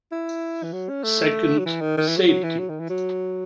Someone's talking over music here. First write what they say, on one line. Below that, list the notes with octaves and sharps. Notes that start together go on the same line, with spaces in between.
Second, safety.
E4
E3
F#3
C#4
A3
F#3
E3
D#3
D#3
E3
F#3
F#3
E3
F#3
D#3
E3
F#3